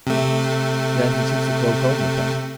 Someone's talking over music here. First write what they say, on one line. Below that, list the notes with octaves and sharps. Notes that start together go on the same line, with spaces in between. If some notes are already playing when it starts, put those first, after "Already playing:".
Then he took the cloak home with him.
C3 A3